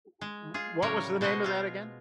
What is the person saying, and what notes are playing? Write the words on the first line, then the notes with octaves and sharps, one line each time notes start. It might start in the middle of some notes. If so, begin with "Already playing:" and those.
W w what was the name of that again?
G#3
F4 G#4
A2 C#3 F#3 G3 A#4 C#5
B2 G#3 F#4 C5 D#5
G#3 F4